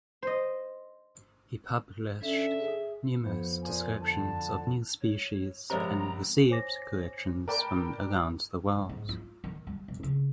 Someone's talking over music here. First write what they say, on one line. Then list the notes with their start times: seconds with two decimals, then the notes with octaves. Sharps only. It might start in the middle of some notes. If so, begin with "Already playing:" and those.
He published numerous descriptions of new species and received collections from around the world.
0.22 C5 D#5
2.22 D3 C#4 E5
2.59 G#4
3.22 F2 B3 C#7
3.63 A#2 F3 G#5
4.01 D3 A5
5.01 C#5
5.70 A#1 C3 G#3 A#4 C5 C#5 A#5
6.50 C5 C#5 G#5 D6 A#6
7.48 A#4 B4 D5 G5 A5 B5
8.75 G2
8.89 G#2
9.09 F4
9.44 D#3
9.67 G3
9.88 E1
10.03 C#3